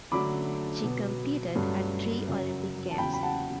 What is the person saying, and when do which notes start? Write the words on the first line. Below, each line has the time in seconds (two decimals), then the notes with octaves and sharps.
She competed at three Olympic Games.
0.12 D3 F#3 A3 D4 B5 D6
0.84 B2 F#3 B3
1.55 G2 F#3 A3 C#4
2.27 F#2 C#3 F#3
2.91 A5
2.98 E2 C#3 F#3 G5 B5
3.13 B5
3.23 F#5 A5